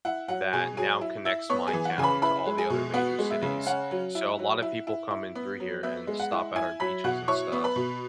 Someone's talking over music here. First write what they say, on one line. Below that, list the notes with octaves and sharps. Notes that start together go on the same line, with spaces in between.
that now connects my town to all the other major cities, so, a lot of people come in through here and stop at our beaches and stuff,
E4 F#5
F#3 F#5
B2 G#4 G#5
F#3 G#4 G#5
E4
E4 E5 E6
B3 C#5 C#6
G#4 G#5
E3
F#5
C#3 G#5
B4 B5
E4 B4 B5
G#3
G#4 G#5
B2
B3 F#5
G#3
E5
C#3
C#4 F#5
F#3
E4
F#3
E4
E4
E4
B3
F#3
B3 E5
G#3
F#5
E4
E4 G#5 G#6
F#3 B5 B6
B2 F#5 F#6
E4 C#5 C#6
B3
B4 B5
B2